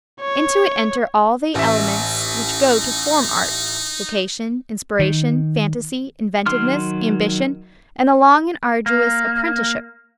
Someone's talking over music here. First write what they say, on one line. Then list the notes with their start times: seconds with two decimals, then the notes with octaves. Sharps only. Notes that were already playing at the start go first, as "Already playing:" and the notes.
Into it enter all the elements which go to form art--vocation, inspiration, fantasy, inventiveness, ambition, and a long and arduous apprenticeship to the science.
0.21 C#5
1.55 A1 D#4 E5
4.99 D#3
6.46 D#3 F#3 C6 F6
8.86 A#3